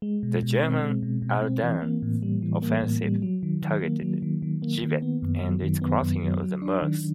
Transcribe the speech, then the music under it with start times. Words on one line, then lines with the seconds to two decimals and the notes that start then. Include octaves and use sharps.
The German Ardennes Offensive targeted Givet and its crossing of the Meuse.
0.02 G#3
0.23 B2
0.43 B2
0.63 C4
0.82 G#3
1.03 B2
1.22 B2
1.42 C4
1.63 E3
1.82 A#3
2.02 A2
2.22 G3
2.42 E3
2.62 A#3
2.83 A2
3.03 G3
3.22 F#3
3.43 D#3
3.62 D#3
3.83 A#3
4.02 F#3
4.22 D#3
4.42 D#3
4.62 A#3
4.82 D#3
5.02 B3
5.22 F#2
5.42 F#3
5.62 D#3
5.82 B3
6.03 F#2
6.22 F#3
6.43 F#3
6.62 D4
6.82 D#3